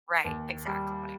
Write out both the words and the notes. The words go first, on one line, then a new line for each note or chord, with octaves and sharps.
Right, exactly.
D#2
G3